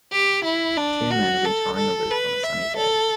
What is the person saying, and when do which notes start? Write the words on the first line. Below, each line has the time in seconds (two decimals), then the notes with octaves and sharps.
Two men retarring a roof on a sunny day.
0.12 G4
0.44 E4
0.77 D4
1.10 F#4
1.44 A4
1.77 A4
2.11 B4
2.43 E5
2.77 A4